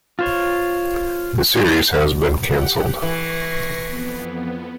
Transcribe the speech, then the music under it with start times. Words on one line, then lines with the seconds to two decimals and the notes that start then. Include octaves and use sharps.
The series has been cancelled.
0.19 F4 C5 C#5
2.38 G4 F#5
3.02 E3 C#6 A#6 C7
3.86 F2 B3